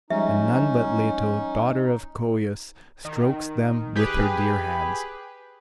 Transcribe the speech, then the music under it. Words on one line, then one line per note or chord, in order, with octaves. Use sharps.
And none but Leto, daughter of Coeus, strokes them with her dear hands.
F3 G3 G#3 C#4 D#4 E5
D#3
G4 G#4 B4